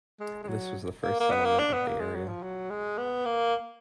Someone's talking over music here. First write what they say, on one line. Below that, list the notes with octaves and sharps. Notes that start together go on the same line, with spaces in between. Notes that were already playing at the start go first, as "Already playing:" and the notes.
This was the first settlement of the area.
G#3
G#3
F#3
A#3
A#3
B3
A#3
D4
B3
A#3
G#3
F#3
F3
F#3
G#3
B3
A#3